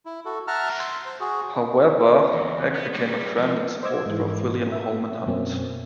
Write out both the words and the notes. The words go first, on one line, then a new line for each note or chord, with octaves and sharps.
However Egg became a friend and supporter of William Holman Hunt.
E4
F#4 A4
E5 F#5 A5 A#5 F6
C6
C5
F#4 G#4
E2
B3
G3 G#3
F3
C5 D#5 D6 E6 G#6
G#2 E3
E5
F#2 B2 F#3 A#3 C4 C#4